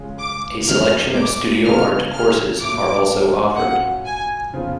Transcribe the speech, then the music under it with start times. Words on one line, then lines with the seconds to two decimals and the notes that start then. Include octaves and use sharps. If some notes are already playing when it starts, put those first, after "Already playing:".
A selection of Studio Art courses are also offered.
Already playing: C#3 G#3 C#4 F4
0.20 D6
0.67 F#2 F3 A3 F6
1.16 D6
1.65 C#3 F3 B3 F4 F6
2.12 F6
2.60 A2 F#3 A3 D6
3.56 A2 F#3 C#4 F4 F#5
4.05 G#5
4.53 F2 C#3 F3 B3 F4